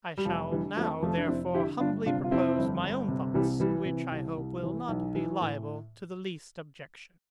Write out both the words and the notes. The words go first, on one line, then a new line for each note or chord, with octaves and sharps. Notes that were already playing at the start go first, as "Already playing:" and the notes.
I shall now therefore humbly propose my own thoughts, which I hope will not be liable to the least objection.
G3
F1 F3
D3 E3 G3
F2 F3 A3
F1 F3 A3
D4
F1 C4 E4
D3 E4 G4
G1 D4 F4
C3 D4 F4
F4
F2 C4 E4
G1
G1
C3
C2 E3 G3
E3 G3
C3
C2
C2
E3
B1
E3
A2